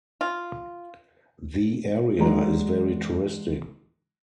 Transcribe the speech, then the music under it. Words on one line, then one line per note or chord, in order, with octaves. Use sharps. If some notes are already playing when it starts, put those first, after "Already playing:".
The area is very touristic.
F4
E3 F#3 G#3 D4 F#4 A#5